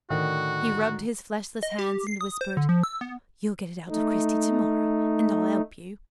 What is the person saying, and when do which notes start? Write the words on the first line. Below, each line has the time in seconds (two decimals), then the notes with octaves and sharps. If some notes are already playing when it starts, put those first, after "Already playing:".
He rubbed his fleshless hands, and whispered: "You'll get it out of Cristy to-morrow, and I'll help you."
0.10 A2 D3 D#3 F#4
1.63 D#5
1.79 G4
2.07 C7
2.21 D#6
2.41 C5
2.57 D3
2.69 F3
2.83 E6
3.01 B3
3.89 A3 D#4